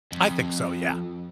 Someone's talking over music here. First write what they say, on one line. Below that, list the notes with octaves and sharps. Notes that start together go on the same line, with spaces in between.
I think so, yeah.
F2